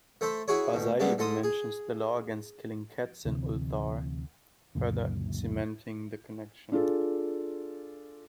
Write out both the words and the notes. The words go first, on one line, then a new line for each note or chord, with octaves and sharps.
Barzai even mentions the law against killing cats in Ulthar, further cementing the connection.
A3 A4 C5 E5
E4 F#4 G#4 C#5
D2 B2
G2 D3 G#3 A#3 B3
G#2 A4 C6 D#6
G#4
D2 C3 E3
C#2 F#2 A#2 D3
D4 F4 G#4 A4